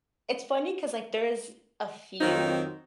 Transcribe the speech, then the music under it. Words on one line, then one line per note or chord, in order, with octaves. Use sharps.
it's funny 'cause, like, there's a few,
F2 D#3 F3 F#3 C4 D#4